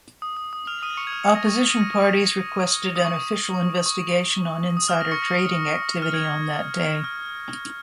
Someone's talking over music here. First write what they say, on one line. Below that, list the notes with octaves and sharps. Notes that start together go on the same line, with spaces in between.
Opposition parties requested an official investigation on insider trading activity on that day.
D#6
D#6
D#6
F6 F7
D#6 D#7
C#6 C#7
G#6
F6
C#6 C#7
A#6
C#6
D#6 D#7
A#6
D#6
C#6
D#6
C#6
D#6
C#6
D#6
F6
A#6
C#6 C#7
A#6
F6
G#6
F6